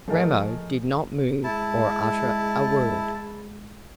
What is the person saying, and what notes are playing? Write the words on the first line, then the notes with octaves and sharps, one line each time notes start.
Ramo did not move or utter a word.
F3 A3 G#4 A#4 D#5
G#3 E4 A5